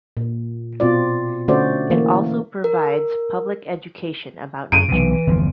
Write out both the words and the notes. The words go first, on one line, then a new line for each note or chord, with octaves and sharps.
It also provides public education about nature.
A#2
B2 C4 F4 D5
D3 A3 C#4 F#4 C5 D5
E3 A3 A#3
A#4
F#2 D7 D#7
B1 C3 E3
G1 E2 F3